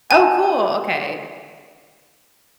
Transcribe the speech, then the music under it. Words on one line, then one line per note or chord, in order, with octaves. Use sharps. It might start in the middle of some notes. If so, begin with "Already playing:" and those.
Oh, cool, okay.
G#5 A5